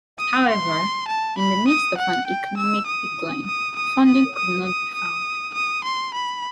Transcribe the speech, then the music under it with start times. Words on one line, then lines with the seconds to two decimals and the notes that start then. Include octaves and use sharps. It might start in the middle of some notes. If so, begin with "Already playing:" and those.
However, in the midst of an economic decline, funding could not be found.
0.18 D#6
0.49 C6
1.08 A5
1.38 B5
1.68 D#6
1.97 F#5
2.27 G5
2.57 E6
2.86 D#6
3.46 D#6
3.76 D#6
4.06 D#6
4.35 D#6
4.65 D#6
4.94 D#6
5.54 D#6
5.84 C6
6.14 B5